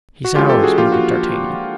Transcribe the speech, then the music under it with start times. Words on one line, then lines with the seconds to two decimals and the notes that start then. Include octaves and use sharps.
"He's ours," muttered D'Artagnan.
0.25 F#4
0.35 E3 G#3 C#4 F4 G4
0.49 G4 A4
0.64 F#4 G#4
0.78 F3 A#3 D4 F4 G4
0.92 F#4